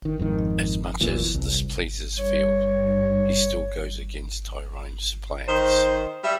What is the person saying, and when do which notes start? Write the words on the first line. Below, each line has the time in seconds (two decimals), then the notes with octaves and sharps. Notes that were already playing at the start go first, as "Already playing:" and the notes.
As much as this pleases Field, he still goes against Tyronne's plans.
0.05 D#3
0.19 F2 G#2 D#3
1.01 D#1 B1 A#2 E3
1.34 C2
2.19 G2 C#5
5.48 D#3 C5
6.24 G3 E5